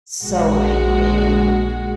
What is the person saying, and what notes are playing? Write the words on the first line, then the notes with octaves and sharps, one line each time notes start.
so I can
A#1 G#3 F#4